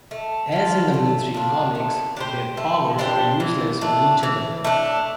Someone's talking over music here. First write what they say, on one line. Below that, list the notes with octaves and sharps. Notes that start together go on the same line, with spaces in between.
As in the mainstream comics, their powers are useless on each other.
A3
D4 F4
A3
D4 F4
A3
D4 G4 C5
A3
D4 G4 C5
E3
A3 D4
E3
A3 D4